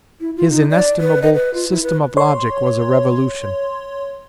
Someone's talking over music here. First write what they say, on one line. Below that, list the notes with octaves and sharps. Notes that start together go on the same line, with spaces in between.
His inestimable "System of Logic" was a revolution.
E4
F4
D#4
D5
B4
D#5
B4
F4
E4
B4
C#5 C6